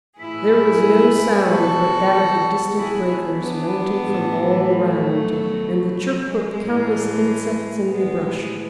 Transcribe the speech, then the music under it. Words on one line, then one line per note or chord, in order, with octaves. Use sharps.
There was no sound but that of the distant breakers, mounting from all round, and the chirp of countless insects in the brush.
A2 E3 E4 G#4
B2 F#4 A4
B2 E4 G#4
B3 D4
A2 E3
F#3 A3
B2
F#3
G#3
A2 E3
A2 E3 G#3 B3